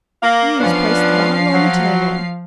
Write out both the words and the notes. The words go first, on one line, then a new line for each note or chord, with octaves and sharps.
Hughes placed the bottle on the table.
A#3 F5
F3 B3 C#4 D4 F5 C7
F#3